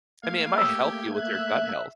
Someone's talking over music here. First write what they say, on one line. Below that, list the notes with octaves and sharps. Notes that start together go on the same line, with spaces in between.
I mean, it might help you with your gut health.
A3 A#3 F5 G#6
G4 D#6 E6
E5 F#6